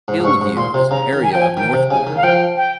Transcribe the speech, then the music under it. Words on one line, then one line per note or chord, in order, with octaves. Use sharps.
Hill View is an area of Northbourne.
G#2
G#2
G2 C#6
G#2
A#2 C6
C3
C#3 A#5
D#3
G#5
F3 G5
G#5
D#3 G5
C3
C#3 G#5
D#3
F5
F3 G5
G5